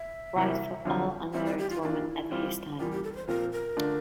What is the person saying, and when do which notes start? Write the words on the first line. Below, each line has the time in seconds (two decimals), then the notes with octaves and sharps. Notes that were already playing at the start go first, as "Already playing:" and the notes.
Right for all unmarried women at his time.
Already playing: E5
0.36 C3 E3 G3 A#3
0.85 F2 D3 G3 C4 F4
1.33 E3 G3 C4 F4 E5
1.46 D5
1.58 G4
1.70 F4
1.82 E3 A#3 D4 E4 F4
2.30 E3 G3 C4 F4
2.79 E2 E3 G3 A#3 F4
2.92 G4
3.04 A4
3.12 A#4
3.16 C5
3.28 A#2 F3 C4 F4 A#4
3.53 A#4
3.77 D3 A3 D4 F4